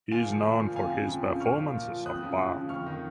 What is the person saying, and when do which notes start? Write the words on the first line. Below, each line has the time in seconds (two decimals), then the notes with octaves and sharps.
He is known for his performances of Bach.
0.11 A#2 F5 G#5
0.29 F3
0.45 A#2
0.61 F3
0.76 F2 F5 G#5
0.92 C#3 F3
1.09 F2
1.25 C#3 F3
1.40 A#2 C#6 F6
1.57 F3
1.73 A#2
1.89 F3
2.05 F2 D#6 F#6
2.22 C#3 F3
2.38 F2
2.54 C#3 F3
2.69 F2 C#6 F6
2.86 D#3